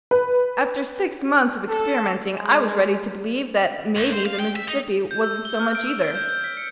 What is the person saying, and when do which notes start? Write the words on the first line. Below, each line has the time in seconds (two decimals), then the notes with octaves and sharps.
After six months of experimenting I was ready to believe that maybe the Mississippi wasn't so much either.
0.11 B4
1.68 A4
2.33 G#3
3.96 D#2
4.12 C5
4.26 F5
4.39 G5
4.56 E5
4.68 D#4
5.11 G6
5.23 E6
5.45 G7
5.60 F6
5.75 D7
5.87 E6
6.02 D7
6.15 G6
6.29 G6
6.44 B6
6.57 C#7